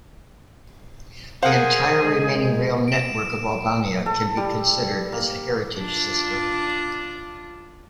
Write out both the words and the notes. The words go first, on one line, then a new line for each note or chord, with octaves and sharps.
The entire remaining rail network of Albania can be considered as a heritage system.
G#4 A#4 C5 F5 F#5
G#3
D7 E7
A4
G3
A#3
D4 F4